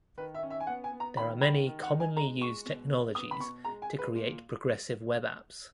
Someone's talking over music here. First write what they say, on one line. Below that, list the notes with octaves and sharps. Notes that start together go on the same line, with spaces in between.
There are many commonly used technologies to create progressive web apps.
D#3 B4
E5
C#4
E5
G#5
B3 F#5
G#5
B3
A#5
D#3 B5
D#3 B5
D#3
F#5
D#4
G#5
G#3 A#5
G#3 C#6
B2
B3
B3 D#6
B5
B2 C#6
G#3 A#5
G#5
G#3
B4
A#2